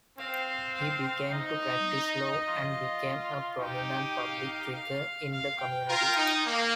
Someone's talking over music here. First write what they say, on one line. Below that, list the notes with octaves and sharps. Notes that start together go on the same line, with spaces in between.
He began to practice law and became a prominent public figure in the community.
C4 F5
F5
D#4 D#5
F4
D#4 G4 G5
F5
F5
F5
G5
F4 A#4
D#4
A#3